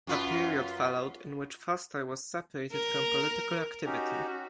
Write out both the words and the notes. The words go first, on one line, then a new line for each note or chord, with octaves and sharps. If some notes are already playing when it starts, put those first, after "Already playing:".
A period followed in which Foster was separated from political activity.
F#2 F4 B4
A#4
C#4 D#4 F#4 G4